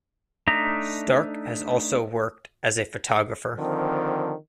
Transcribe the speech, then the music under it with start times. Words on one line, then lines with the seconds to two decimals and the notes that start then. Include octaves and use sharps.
Stark has also worked as a photographer.
0.48 A3 D4 D#4 E5 A#5
3.58 D3 D#3 F3 C4